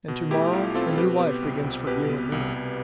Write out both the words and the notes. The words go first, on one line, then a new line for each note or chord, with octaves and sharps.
"And to-morrow a new life begins for you and me."
B2
A3 E4 G4
B1 F4
C4 F4 A4
B2 G4 B4
B3
C2
C2
B2 G4 B4
B3
C2
C2